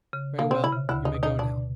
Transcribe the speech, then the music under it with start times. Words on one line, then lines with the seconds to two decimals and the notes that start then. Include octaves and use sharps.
"Very well, you may go now."
0.13 C#3
0.38 B2 A#3
0.51 C3 C4
0.64 E4
0.72 C#3
0.89 D2 D3 E4
1.05 D#4
1.14 B2
1.23 D#4
1.39 B2 D4